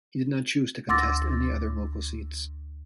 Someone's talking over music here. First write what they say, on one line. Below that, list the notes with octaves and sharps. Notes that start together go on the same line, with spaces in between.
He did not choose to contest any other local seats.
D2 C6 D6 E6 A6 A#6